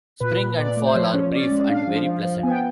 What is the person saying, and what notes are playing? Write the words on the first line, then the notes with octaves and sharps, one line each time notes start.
Spring and fall are brief and very pleasant.
A#2 B4
A#2
A#2 D5
A3
C5
F3 C#5
C#4
C#4 D5
G#3
D4 F5
F3
F3
F3
B3 G#5
G5